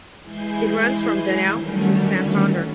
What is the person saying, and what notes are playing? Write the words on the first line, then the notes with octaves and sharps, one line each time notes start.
It runs from Danao to Santander.
E3 G#3 E4 G#5 G6 C7
D3 D#3 F#3 G3 A3 C#4